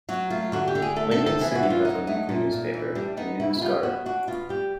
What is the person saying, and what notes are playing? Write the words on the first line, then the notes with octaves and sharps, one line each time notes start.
Lincoln City has a weekly newspaper, "The News Guard".
F#3 F#4
A3 F4
D3 F#4
G4
D3
G#4
A3 A4
A4
C4
A4
E3 G#4
F#4
E3
F4
F#3 D#4
A3 D#4
A#2
A#2
E3
G3 D4
B3 D#4
C#3 E4
E4
G3 F4
B3 F#4
D4 F#4
B2 F4
G3 G4